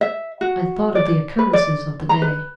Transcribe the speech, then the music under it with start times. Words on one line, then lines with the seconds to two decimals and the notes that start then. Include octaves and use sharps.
I thought of the occurrences of the day.
0.01 E5
0.41 F#4
0.95 D5
1.38 B4
1.53 D5
2.09 A#5
2.22 B4